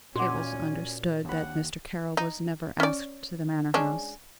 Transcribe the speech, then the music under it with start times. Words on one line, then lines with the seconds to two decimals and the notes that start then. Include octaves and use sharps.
It was understood that Mr. Carroll was never asked to the Manor-house.
0.16 A#2 C#4 F#4 D#5 F#5 G#5 C6 D6
1.25 D#2 D4 F#5 B5
2.17 D#4
2.80 C#4 D5
3.74 G#3 C#4 D4